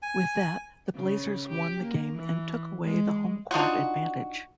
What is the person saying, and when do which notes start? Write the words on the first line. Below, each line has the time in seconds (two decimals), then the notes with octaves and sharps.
With that, the Blazers won the game and took away the home-court advantage.
0.02 G#5
0.94 C#3
1.48 G4
1.81 A#3
2.18 E3
2.84 G#3
3.51 D4 D#4 F4 F#4